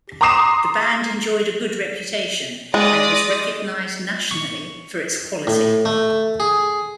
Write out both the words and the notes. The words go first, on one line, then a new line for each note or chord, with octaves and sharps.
The band enjoyed a good reputation, and was recognised nationally for its quality.
A#5 C6 D6 D#6 C7 E7
G#3 D5 D#6 A#6
C#6
A2
A3
G#4